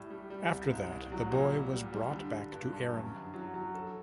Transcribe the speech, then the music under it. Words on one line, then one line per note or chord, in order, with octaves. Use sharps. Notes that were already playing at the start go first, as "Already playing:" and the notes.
After that the boy was brought back to Erin.
Already playing: A2 G3
G3
G3
C2
C2
C2
F#3
A#2
G3
G3
G3
D3
D3
G2
G2
F#2
D3
F#3
F#3
A4